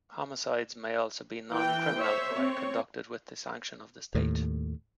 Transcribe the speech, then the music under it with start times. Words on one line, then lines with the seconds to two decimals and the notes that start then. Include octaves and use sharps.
Homicides may also be non-criminal when conducted with the sanction of the state.
1.52 E3 G5
1.98 C5 C#5 E5
2.33 C4 C#5
4.15 D#2 A2